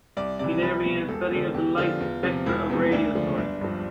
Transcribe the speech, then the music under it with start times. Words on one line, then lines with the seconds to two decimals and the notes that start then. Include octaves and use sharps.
He later began a study of the light spectra of radio sources.
0.17 C2 D5
0.39 C3 E3 D5
0.62 C2 B4
0.86 B2
1.08 E1 A4
1.31 E2 D3
1.54 E2 G4
1.77 D3 F3 F4
2.00 E2
2.23 C3 F3
2.46 E1 E4
2.70 E2 C3 F3
2.92 D2 D4
3.15 D3 F3
3.38 G1 D4
3.61 G2 F3